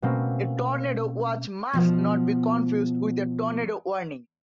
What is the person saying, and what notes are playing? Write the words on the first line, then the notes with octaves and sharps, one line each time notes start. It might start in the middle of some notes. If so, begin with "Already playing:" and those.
A tornado watch must not be confused with a tornado warning.
B2 A3 A#3 C4 C#4
B2 F3